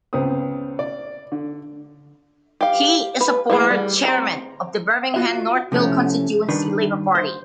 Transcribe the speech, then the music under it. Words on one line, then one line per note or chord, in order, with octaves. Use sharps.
He is a former chairman of the Birmingham Northfield Constituency Labour Party.
C#2 B3 C4 G5 D#6
D5
D3
G4 F5
B4
E3 A3 G#4
G3
C4 A#5
F4 F#4 E5
C3 F3 A3 C#4 E4
G2 D#3 D4 B4
C5